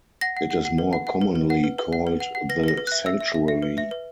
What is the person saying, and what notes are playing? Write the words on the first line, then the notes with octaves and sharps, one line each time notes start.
It is more commonly called the sanctuary.
F#5 A#6
F#5
F#5
F#5
B4
F#5
F#5
B4
B4
F#5
B4
B4
F#5
B4
F#5
F#5
B4 A#6
B4 A#6
B4
E5 F#6
E5 E6
E5
E5
E5
B4
E5
B4